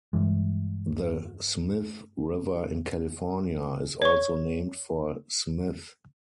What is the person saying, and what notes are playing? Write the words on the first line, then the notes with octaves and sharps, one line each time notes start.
The Smith River in California is also named for Smith.
G2 E3 G#3
C#5 C#6